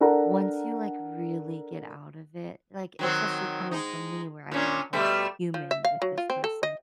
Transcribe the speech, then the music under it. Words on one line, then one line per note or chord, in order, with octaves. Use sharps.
once you, like, really get out of it, like, especially coming from me, where I had a whole human with this person,
D4 A4 A#4 F#5 A#5
D#3 F#3 C4
G#3 D#4
A#2 C#4 D4
B2 G3 A3
F3
E5
F5
F#3
F4
C4
A4
D#5